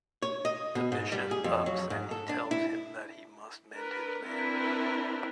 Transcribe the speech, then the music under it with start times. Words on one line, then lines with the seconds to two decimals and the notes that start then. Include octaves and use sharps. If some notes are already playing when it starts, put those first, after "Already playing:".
The bishop ups and he tells him that he must mend his manners.
0.22 C#5
0.45 D#5
0.75 B2
0.92 G#2
1.12 G3
1.31 G#4
1.44 F2
1.66 F#3
1.90 G#2
2.11 A4
2.29 D4
2.51 E4
3.73 D4 A#4 B4
4.24 C4 D4 E4 A#4 B4